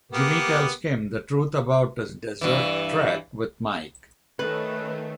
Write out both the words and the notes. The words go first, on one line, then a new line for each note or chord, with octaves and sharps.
Jimmy tells Kim the truth about his desert trek with Mike.
A#3 B3 G4
G2 E3
D#3 A3 C#4 B4